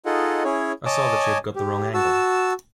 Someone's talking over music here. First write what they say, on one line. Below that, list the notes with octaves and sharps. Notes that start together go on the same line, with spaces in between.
I saw that she had got the wrong angle.
D#4 F4 G#4 A4 D#5 F#5
C#4 E4 G#4 C#5
C#5 D#5 G#5 A5 D6
G4
F#4 A5 E6